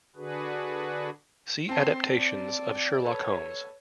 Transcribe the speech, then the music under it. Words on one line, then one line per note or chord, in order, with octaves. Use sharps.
See Adaptations of Sherlock Holmes.
D3 D4 F#4 G#4 B4
C4 A5 C6
D5
A4 B4 C#5